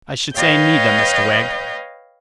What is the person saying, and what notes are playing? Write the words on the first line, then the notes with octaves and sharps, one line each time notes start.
'I should say neither, Mr Wegg.'
B4 C#5 D#5 F5 G5 G6